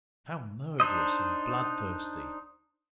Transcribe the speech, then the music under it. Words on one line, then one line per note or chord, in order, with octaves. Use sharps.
"How murderous and bloodthirsty!"
D4 D#4 C5 D#5